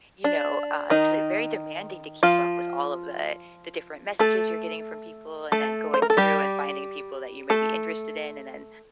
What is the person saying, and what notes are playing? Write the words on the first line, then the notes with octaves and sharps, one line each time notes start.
you know, uh, it's very demanding to keep up with all of the the different messages you're getting from people and then going through and finding people that you may be interested in. And then,
D4
D#3 D#4
F3 F4
A3 A4
A3 A4
C5
A#4
A4
G3 G4
A3 A4